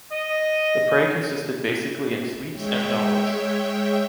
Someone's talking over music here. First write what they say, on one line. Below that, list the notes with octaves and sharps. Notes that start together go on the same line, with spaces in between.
The prey consisted basically in sweets and dolls.
D#5
G#3 C#5 E5 G5